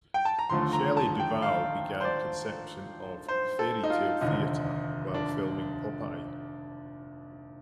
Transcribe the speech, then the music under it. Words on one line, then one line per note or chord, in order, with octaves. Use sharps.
Shelley Duvall began conception of "Faerie Tale Theatre" while filming "Popeye".
G5
A5
A#5
D#2 D3 F3 A3 C6
A#5
A5
G5
F5
C5
D5
C5
A4
D#4
F4
F1 D#2 D3 D#4
D4